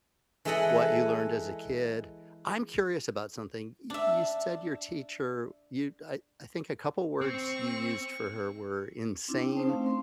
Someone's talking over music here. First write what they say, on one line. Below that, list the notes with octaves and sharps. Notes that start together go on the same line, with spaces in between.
what you learned as a kid. I'm curious about something. Y you said your teacher you I I think a couple words you used for her were insane,
E3 G#3 G#4 A4 D#5 F#5
D4 E5
C4 C#6
C4 D4 E4
G5
C4 D#4 C5 A5
A3 C4 C#4 F5
C6